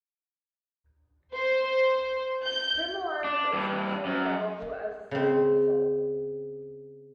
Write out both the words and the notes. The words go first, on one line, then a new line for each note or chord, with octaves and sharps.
Primuline is usually available as a sodium salt.
C5
G6
D4
G2 E3
F#2
C#3 C4